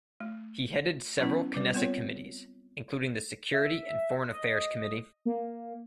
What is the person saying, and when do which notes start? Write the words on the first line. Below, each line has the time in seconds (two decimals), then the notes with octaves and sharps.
He headed several Knesset committees, including the Security and Foreign Affairs committee.
0.20 A3
1.19 F#3 B3 C#4 E4
1.54 G3 B4 D5
1.74 B3 C4 F4 C#5
3.54 E5
4.31 D#5
5.25 A#3